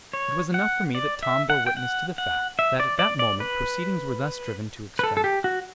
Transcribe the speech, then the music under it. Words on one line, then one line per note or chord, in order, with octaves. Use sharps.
It was enough for me that Tom bore witness to the fact that at that moment proceedings were thus driven to extremity.
C#5
F#5
D5
E5
F#5
G5
F#5
F#5
E5
D5
D5
D5
B4
B4
A4
A4
G4
F#4